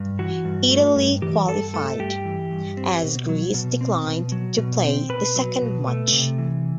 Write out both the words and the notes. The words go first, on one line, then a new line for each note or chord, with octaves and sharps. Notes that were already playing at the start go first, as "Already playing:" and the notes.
Italy qualified, as Greece declined to play the second match.
Already playing: G2
E3 F#4
G2
A3
G2
E3 G4
G2 A4
A3 A4
G2 G4
E3
G2
C4
B2
F#3
B2
C4
B2
F#3
B2
C4
B2 B4
F#3
B2
A3
C3
E3